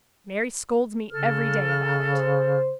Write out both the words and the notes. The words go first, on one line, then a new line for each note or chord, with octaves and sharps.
Mary scolds me every day about it.
C#3 A4 F6
C5